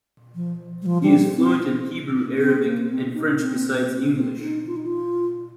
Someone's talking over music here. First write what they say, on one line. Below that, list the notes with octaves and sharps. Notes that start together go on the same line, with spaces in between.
He is fluent in Hebrew, Arabic, and French, besides English.
F3
G3
F3
G3
C4
C4
A#3
C4
D#4
C4
C4
C4
D#4
F4
D#4
F4